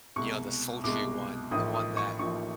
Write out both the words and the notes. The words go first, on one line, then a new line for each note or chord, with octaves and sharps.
you know, the sultry one, the one that
C2 B2 G#3 C#6
C2 B2 G#3 D6
A1 A2 F3 A#3 D#4 D#6
D#6
C#6
A1 A2 F3 A#3 D#4 C#6